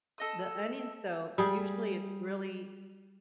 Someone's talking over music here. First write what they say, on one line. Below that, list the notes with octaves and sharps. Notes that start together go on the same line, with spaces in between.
The onions though, usually it's really,
A4 D#5 D#6
G3 G#4